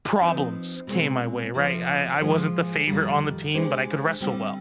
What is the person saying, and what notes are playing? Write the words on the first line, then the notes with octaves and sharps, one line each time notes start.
problems came my way, right? I I wasn't the favorite on the team, but I could wrestle well.
F3 C4 D#4 B4
B2 G#3 C4
D2 C3 F3
G#2 F3 G#3
F2 D#3 G3
D3 G#3 D4 G4 C5
D3 G3 C4 G4